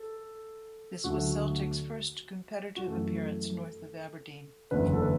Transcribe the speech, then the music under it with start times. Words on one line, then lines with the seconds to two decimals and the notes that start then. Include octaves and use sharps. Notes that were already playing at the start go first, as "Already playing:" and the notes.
This was Celtic's first competitive appearance north of Aberdeen.
Already playing: A4
1.04 D2 D3 F#3 A3 F#4
2.76 F#4
2.88 F#2 E3 A3 A4
4.71 F#1 E2 D3 B4
4.93 A4
5.02 B4